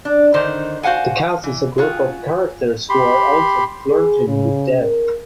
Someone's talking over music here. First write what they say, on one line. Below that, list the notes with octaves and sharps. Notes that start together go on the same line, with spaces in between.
The cast is a group of characters who are also flirting with death.
D4
D3 D#3 D#4 C5
F#4 C5 F5 F#5 G#5
E3
F4 F#4 G#4
G4 B5 C6
G#4
C#3
A#4